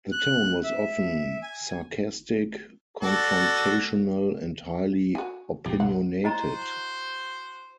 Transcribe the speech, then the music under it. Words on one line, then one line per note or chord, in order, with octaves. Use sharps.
The tone was often sarcastic, confrontational and highly opinionated.
F#6
E5
G#5
F#4 A4 D5
F#4 G#5
F2 A#2 C#3 G4
B1 F#5
E4 F#4 C5 D#5 A#5